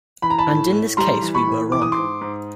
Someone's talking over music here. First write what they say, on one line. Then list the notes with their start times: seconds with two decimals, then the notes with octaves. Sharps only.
And in this case we were wrong.
0.22 E3 B5
0.30 A#5
0.38 A5 B5
0.48 A2
0.72 A2
0.97 G3 A#5 C6
1.22 E3
1.34 B5 C#6
1.47 A2
1.72 E3 D6
1.82 D#6
1.92 C6 D6
1.97 G#2
2.21 G#2